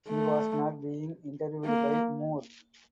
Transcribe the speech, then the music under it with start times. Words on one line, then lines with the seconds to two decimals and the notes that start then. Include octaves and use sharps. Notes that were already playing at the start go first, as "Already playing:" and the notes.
He was not being interviewed by Moore.
0.08 A3
1.65 A#3